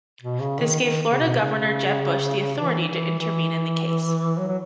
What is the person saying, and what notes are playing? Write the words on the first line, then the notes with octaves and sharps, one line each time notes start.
This gave Florida Governor Jeb Bush the authority to intervene in the case.
B2
C#3
D#3
D#3
C#3
B2
C#3
E3
E3
E3
F#3
F#3